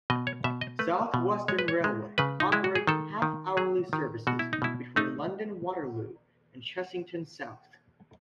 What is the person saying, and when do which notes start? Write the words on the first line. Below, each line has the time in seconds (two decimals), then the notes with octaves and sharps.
South Western Railway operate half-hourly services between London Waterloo and Chessington South.
0.10 B2 D#5
0.27 C#5
0.44 B2 E5
0.61 D#5
0.79 A3 B4
1.14 B2
1.48 G#3 C#5
1.59 B4
1.68 C#5
1.84 G#3
2.18 C#3 B4
2.40 D#4
2.52 G#3 E4
2.64 F#4
2.75 G#4
2.87 D#3 A4
3.22 D#3
3.57 F#3 G#4
3.93 D#3
4.27 B2 F#4
4.39 E4
4.53 D#4
4.62 B2 E4
4.96 A3 D#4